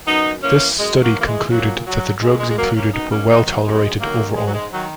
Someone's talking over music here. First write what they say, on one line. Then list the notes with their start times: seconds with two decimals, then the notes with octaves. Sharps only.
This study concluded that the drugs included were well tolerated overall.
0.07 F#2 B3 D#4
0.43 E3 A#3 C#4
0.79 F#2 G#3
1.03 F#3 A#3
1.15 E3
1.21 A#3
1.27 G#3
1.51 A#2 F#3
1.86 F#3
2.22 A#2 G#3
2.39 G#3
2.50 G#3
2.57 F#3 A#3
2.76 A#3 C#4
2.93 F#2 B3 D#4
3.11 A#3 C#4
3.29 D#3 B3 D#4
3.47 F#3
3.65 F#2 G#3
4.00 D#3 F#3 A#3
4.36 G#2 G#3
4.46 F#3
4.54 G#3
4.73 D#3 F#3